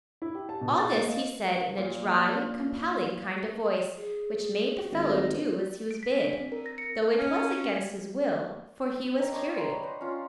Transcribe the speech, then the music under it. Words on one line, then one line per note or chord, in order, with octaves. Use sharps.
All this he said in a dry, compelling kind of voice which made the fellow do as he was bid, though it was against his will, for he was curious.
E4
G4
A5
B2
A6
A#3
D#5
A#2 F5
G#4
G#1 D#5
D7
B6
D4
C4
A#4
A#6
C#7
C#4
D#5 G5 A#5
D4 C5 C#5 D#5
B4 A#5 C6
C5 F#5
C#4 F4